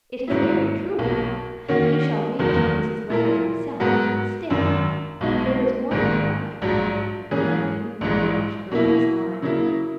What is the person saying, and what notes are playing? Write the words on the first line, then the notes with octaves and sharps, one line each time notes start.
"It is very true, however; you shall read James's letter yourself. Stay--There is one part--" recollecting with a blush the last line.
G#1 G#2 F#3 C#4 E4
B1 B2 A#3
D#3 A#3 C#4 F#4
F#1 E2 D#3 F#3 A#3
A#2 A#3 E4 A#4
G#2 F#3 B3 F#4 A#4
G#1 F#2 D#3
B1 B2 G#3 B3 D#4
A#1 G#2 D#3 A#3
A#1 G#2 F#3
G#2 E3 A#3 C#4 G#4
A#1 G#2 E3 G#3
B2 A#3 E4
C#3 F#3 A#3 E4